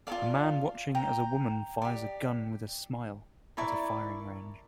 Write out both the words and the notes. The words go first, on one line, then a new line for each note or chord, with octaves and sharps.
A man watching as a woman fires a gun with a smile at a firing range.
F4 A4 D5 F5 A5
G5 A#5
G4 D5
E4 A#4 D5 A5 C#6